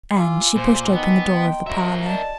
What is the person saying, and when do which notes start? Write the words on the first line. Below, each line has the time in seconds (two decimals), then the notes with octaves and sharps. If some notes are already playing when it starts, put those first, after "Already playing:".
And she pushed open the door of the parlour.
0.15 F4 G#5 D6 E6
0.56 A#2 C5
0.92 D#3 B3
1.31 D#5 G5 A#5 C6
1.67 F#3 A#4 E5
2.05 D5 D#5 A5